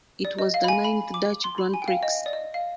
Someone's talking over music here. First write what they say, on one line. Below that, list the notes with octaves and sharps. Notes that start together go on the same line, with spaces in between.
It was the ninth Dutch Grand Prix.
D5
D#5
F5
B5
G#5
B5
D6
C6
B5
G#5
G5
F5
D#5
D5
D#5
F5